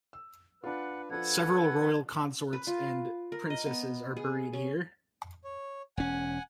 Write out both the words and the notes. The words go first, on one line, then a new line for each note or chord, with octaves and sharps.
Several royal consorts and princesses are buried here.
E6
D4 F4 B4 F#5
F3 D4 F4 A4 B4 F#5 G#6
B4
F4
A#4
D#5
B3
G#4
C#4
C#5
E1 C#4 F#5 G#5